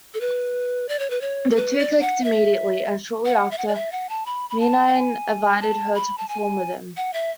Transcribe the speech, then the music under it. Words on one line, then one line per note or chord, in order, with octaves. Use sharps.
The two clicked immediately, and shortly after, Meine invited her to perform with him.
A4
B4
D5
C#5
B4
C#5
A4
B4
D5
F#5
E5
F#5
E5
F#5
D5
E5
F#5
A5
B5
B5
A5
F#5
G#5
A5
B5
A5
G#5
F#5
E5